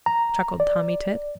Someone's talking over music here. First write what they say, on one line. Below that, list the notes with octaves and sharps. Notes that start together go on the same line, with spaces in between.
Chuckled Tommy Tit.
A#5
D5